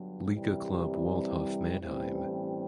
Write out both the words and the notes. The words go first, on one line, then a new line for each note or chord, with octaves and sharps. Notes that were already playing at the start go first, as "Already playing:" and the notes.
Liga club Waldhof Mannheim.
Already playing: G1 G2 F#3
C2 C3 E3 G3
A1 G2 E3 G3 C4